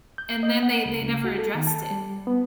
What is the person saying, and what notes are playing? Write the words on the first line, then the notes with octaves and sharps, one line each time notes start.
and then they they never addressed it,
G6
D#5
F#5
C#2
C#2
F#4
A4
D#3
A5
G3
B3